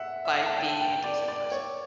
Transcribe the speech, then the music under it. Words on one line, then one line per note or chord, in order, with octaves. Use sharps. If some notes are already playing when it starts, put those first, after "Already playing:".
by being a decent person.
Already playing: E5 F#5
E5
A5
G5
G5
D5
D5
C#5